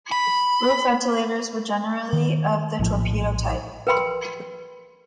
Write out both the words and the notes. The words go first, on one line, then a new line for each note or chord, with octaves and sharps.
Roof ventilators were generally of the torpedo type.
B5
D#3
A#1 A2 F3
A#4 B4 G5 B5 C6